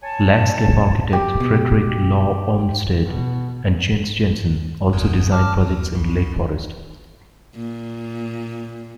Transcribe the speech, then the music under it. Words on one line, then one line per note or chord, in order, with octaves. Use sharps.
Landscape architects Frederick Law Olmsted and Jens Jensen also designed projects in Lake Forest.
C#5 G#5 A5
G4
B2
B2
G1 E2 G2
A5 D6 F6
D#2
C2
A#2